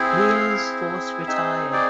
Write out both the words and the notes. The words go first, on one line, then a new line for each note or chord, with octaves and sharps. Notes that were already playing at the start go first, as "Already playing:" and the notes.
Wheeler's force retired.
Already playing: C4 E4 G#4
F5
C4 D#4 G#4 E5
D5